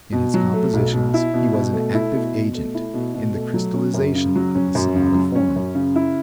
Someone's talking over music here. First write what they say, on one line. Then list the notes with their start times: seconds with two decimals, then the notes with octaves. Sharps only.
In his compositions he was an active agent in the crystallization of the sonata form.
0.13 B2
0.34 F#3
0.54 A3
0.73 B1
0.93 B2
1.14 E4
1.34 B2
1.53 B2
1.73 A3
1.94 E4
2.14 B2
2.35 B2
2.55 A3
2.75 E4
2.94 B2
3.14 B2
3.35 A3
3.54 F#3
3.74 C#4
3.94 F#2
4.15 C#3
4.35 F#3
4.55 C#4
4.75 F#2
4.95 C#3
5.15 F#3
5.35 C#4
5.56 F#2
5.75 C#3
5.95 E4